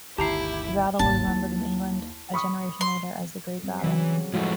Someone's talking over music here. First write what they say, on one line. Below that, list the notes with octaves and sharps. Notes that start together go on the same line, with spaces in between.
The battle was remembered in England a generation later as "the Great Battle".
G1 D2 D#3 E4 G4 A5 A#5 C7
G#1 D#2 C3 A5
E4
B5 C#6 D#6
C6
G3 C4
C#3 E3 F#3
A2 F3 G#3 E4 F#4 A4